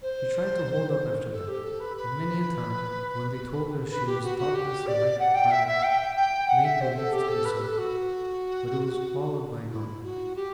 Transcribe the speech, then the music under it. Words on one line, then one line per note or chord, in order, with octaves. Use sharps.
'She tried to hold up after that; and many a time, when they told her she was thoughtless and light-hearted, made believe to be so; but it was all a bygone then.
C5
A4
G4
A4
B4
B4
B4
G4
F#4
F#4
G4
D5
F#5
G5
E5
E5
G5
G5
F#5
E5
C5
A4
G4
A4
B4
A4
F#4
E4
F#4
G4